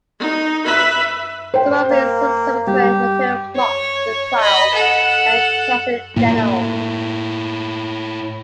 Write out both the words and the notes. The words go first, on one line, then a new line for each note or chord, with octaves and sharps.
Some of his subsequent material mocked the trial and tax in general.
D#4
B4 E5
C5 G5
A#3
G3 G4
C#5
D#5 B5
A4 F#5
A2 A#3